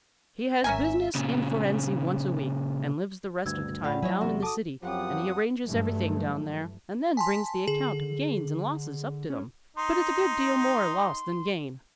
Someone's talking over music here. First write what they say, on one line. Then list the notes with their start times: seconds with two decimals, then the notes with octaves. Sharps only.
He has business in Fohrensee once a week, and lives the rest of the time down in the city; and he arranges everything down there, and then brings the account of gains and losses up to them; but it's a good deal more loss than gain.
0.64 G#1 C#4 A#4 E5 G#5
1.15 A#2 C#3
3.46 D2 G2 E6 G#6
3.84 F2 A2 D5 F5 F#5 B5
4.02 F#3 E4 C#5 D#5 G#5
4.21 E2 C3 F#4
4.42 A4 A5 D6 D#6
4.82 F#2 F3 F#3 B3 C4 G4 F#5 D#6
5.66 G2 E3 F#3 A3
7.17 G#5 A5 C6 B6
7.68 D3 G#4
9.30 C#4
9.77 D#4 C6